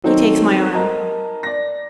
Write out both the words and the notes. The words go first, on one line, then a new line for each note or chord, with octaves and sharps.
He takes my arm.
D#3 F#3 C4 D#4 A4
A#4 D#5 A5 A#5
D5 A#6